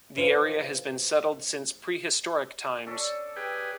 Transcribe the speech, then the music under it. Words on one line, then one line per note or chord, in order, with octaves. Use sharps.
The area has been settled since prehistoric times.
A2 E3 F3 F4
C#4 D4 A4
G4 G#4 B4 G5